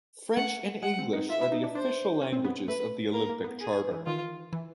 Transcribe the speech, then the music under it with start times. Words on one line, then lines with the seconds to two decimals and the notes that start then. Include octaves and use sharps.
French and English are the official languages of the Olympic Charter.
0.36 A3 F#5
0.82 G#3 F#5
0.99 C4
1.13 D#4
1.29 F4 E5
1.41 E4
1.52 D#4
1.64 D4
1.75 D4 C5
2.21 C#4
2.33 C4
2.44 B3
2.68 A3 B4
3.13 A#3 A#4
3.29 A#3
3.44 B3
3.61 G#4
3.91 E3
4.06 D#3 F4
4.53 E3